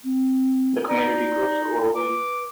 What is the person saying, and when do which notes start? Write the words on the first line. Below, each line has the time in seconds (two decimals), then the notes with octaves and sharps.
The community grew slowly.
0.04 C4
0.88 D#4 D5
1.95 B4 D6